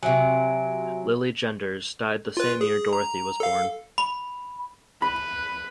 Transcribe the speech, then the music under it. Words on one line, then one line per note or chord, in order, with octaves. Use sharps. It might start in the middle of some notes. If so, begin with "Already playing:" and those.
Lilly Genders died the same year Dorothy was born.
C3 F#3 E5 G#5
F4 B4
G#4
A#5
A4 F5
B5
B4 B5